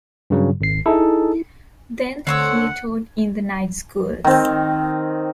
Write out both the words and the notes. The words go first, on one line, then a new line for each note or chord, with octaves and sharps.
Then he taught in the night schools.
G2 C#3 F#3
G#1 C7
D#4 E4 G#4 A4
D2 D3 C4 C#5 F#5 E6
D#3 C4